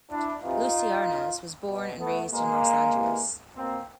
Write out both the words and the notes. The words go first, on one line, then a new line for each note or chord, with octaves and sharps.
Lucie Arnaz was born and raised in Los Angeles.
D4 E4
C3 E3 D#4 F4
B2
B2
A3 B3
B2 G#3 A#3
C3 E3
B2 A#3 C4